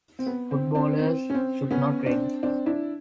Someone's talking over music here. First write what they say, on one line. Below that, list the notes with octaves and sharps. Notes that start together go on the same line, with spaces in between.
Footballers should not drink.
C4
B3
C4
C4 D4
C4
C#4
C4
B3 C#4
C4 D4
C4 D4
D4 E4